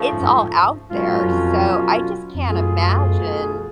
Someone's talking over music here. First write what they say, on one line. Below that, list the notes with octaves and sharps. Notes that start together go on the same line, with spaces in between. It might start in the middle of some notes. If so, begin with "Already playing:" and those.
it's all out there. So, I just can't imagine
Already playing: C#3 F3 A3
G#2
F#2
G#2
G#2 B2 F#3 C#4 F4 A4
A2
G#2
F#2
F2
F2
F#2 B2 A3 F4 G#4